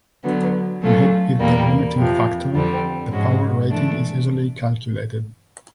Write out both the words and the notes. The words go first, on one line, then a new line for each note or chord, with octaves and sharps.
When heat is the limiting factor, the power rating is easily calculated.
D3 F#3 B3
F#3 A3 C#4 F4 A4
E2 B2 G3 A#3
F2 C3 F3
F2 D3 G3 C4
G#2 F3 G#3 C#4 F#4
E3 A3 D4